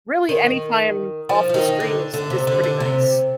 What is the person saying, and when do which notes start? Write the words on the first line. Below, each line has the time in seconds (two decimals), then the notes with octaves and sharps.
Really anytime off the screen is is pretty nice.
0.29 D#3
1.29 F3
1.49 F3
1.54 D#3
1.80 D3
2.14 D3
2.30 C3
2.47 D3
2.64 D3
2.80 C3